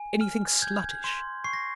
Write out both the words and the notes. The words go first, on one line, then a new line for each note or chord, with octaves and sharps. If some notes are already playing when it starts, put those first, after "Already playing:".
Anything sluttish?
Already playing: G#5
F6
G6 G#6
C6
C#6 C7
A#6